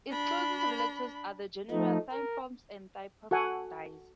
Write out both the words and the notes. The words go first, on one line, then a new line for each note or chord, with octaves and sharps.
Its closest relatives are the genera "Thymops" and "Thymopides".
D4 B5
F3 A3 D#4
A#4
F#4 A4 F#5 G#5